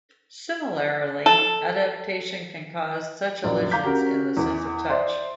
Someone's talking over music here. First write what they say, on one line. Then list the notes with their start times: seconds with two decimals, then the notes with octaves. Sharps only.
Similarly, adaptation can cause such illusions in the sense of touch.
1.26 A4
3.43 A#1 F#2 D5
3.71 F5 A#5 D6 G6 B6
3.84 C#4 F#4 G4 A#4
4.37 E2 E3
4.89 C5 D5 E5